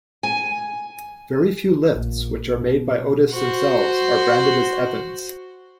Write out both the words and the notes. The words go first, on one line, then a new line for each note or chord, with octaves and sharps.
Very few lifts which are made by Otis themselves are branded as Evans.
G#5
A#1
B2
F#4 C5